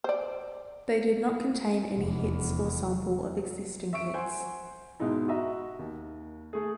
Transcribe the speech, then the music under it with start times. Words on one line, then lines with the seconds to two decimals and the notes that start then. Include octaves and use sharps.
They did not contain any hits or sample of existing hits.
0.04 C5 D5
1.98 F1 E2
3.93 E5 C#6 D7
4.14 C5 F#5 G#5 C6
5.00 G#2 B2 G#3 D#4 E4
5.28 F#4 D#5 E5 A#5
5.79 D#2
6.53 A3 G#4